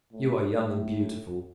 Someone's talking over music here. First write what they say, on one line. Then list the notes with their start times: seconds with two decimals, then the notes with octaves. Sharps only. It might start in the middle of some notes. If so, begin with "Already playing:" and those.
You are young and beautiful.
0.12 A2
0.55 A2